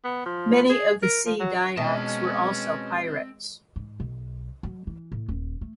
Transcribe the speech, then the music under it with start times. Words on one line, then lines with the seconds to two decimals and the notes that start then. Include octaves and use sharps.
Many of the sea dayaks were also pirates.
0.04 B3
0.26 F3
0.69 G#4
1.03 A#4
1.26 F3
1.40 F#3
1.77 B2 G#3 C4 C#4 A5
3.76 G#2
4.00 B1
4.63 F#3
4.87 E3
5.12 A2
5.29 D#1
5.61 A3